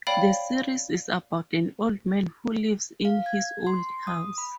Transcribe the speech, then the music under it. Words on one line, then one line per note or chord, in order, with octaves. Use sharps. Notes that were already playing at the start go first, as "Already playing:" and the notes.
The series is about an old man who lives in his old house.
C#5 D5 F5 G5 B5
F5
G#6
C6
D#6
B5